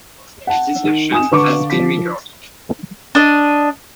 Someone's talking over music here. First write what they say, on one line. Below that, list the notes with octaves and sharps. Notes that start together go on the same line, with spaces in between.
This version has been recorded.
F#5 A5
D#3
G#5 D#6 E7
D3 B4 C#6 D6
F3 B6
D4 D#5